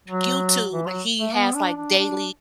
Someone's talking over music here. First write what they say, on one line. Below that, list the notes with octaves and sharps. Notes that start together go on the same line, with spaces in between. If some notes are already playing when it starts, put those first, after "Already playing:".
YouTube and he has, like, m
F#3
E3
F#3
A3
B3
D4
D4
D4